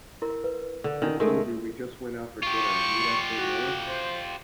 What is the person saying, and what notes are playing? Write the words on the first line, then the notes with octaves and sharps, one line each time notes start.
I told you we just went out for dinner, need I say more?
E4 A#4
B4
D3
D#3 C#4 D4
D#3 G#3 A3 A4 A#4
F4 G4 C#6
F#4
C5